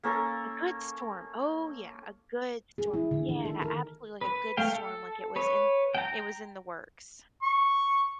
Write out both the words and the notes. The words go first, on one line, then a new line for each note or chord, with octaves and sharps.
A good storm. Oh, yeah, a good storm. Yeah, absolutely, like, a good storm. Like, it was in it was in the works.
A#3 C#4 A4 A#4
G#4
E4
D3
D#3
A4
A#4
B4
A3 F5 G5
A4
B4 C#5
G5 A#5
C#6